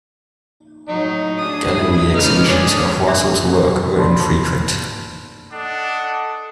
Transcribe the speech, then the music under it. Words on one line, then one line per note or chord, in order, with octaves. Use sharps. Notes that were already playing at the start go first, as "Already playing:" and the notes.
Gallery exhibitions of Russell's work were infrequent.
A2 F#3 D#4
D4 G#4 D#6
E4
C#3 G#3 A#3 D#4 B4 F6
C#4 D4 G#4 D#6
D4 C5 D5 E5
D5 A5 B5 C6
D4 A4 D#5 F#5